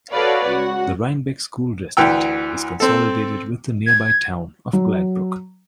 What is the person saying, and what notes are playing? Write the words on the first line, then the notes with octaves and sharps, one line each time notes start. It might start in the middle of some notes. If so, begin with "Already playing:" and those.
The Reinbeck school district is consolidated with the nearby town of Gladbrook.
F#4 A4 B4 C#5 D5 F5
C#2 F#4 F#5
D2 E3 G5 E6
C4 A4
G#6
F#3